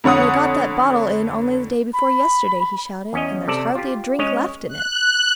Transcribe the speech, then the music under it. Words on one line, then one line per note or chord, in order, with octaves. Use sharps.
"But I got that bottle in only the day before yesterday," he shouted, "and there's hardly a drink left in it."
F2 D3 C#5 F#5 D#6
B5
E2 C#4 D#5
C3 A4 D5
F4 G4
G#3 C#4 C#5 D#5
F#6